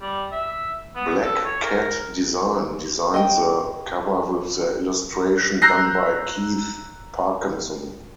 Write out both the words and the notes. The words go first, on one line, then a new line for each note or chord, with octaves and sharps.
Black Kat Design designed the cover with the illustration done by Keith Parkinson.
G3
E5
B3
A4
C#5
A#4
D#5 G5
A#5 E6 F#6 G6 A#6 C7